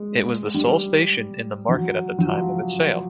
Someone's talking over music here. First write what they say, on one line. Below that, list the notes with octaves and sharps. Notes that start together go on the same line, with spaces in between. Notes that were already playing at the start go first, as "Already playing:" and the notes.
It was the sole station in the market at the time of its sale.
Already playing: G#3
G3
F#3
F#3
F3